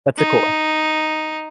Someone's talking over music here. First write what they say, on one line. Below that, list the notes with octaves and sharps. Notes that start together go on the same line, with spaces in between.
That's a cool one.
D#4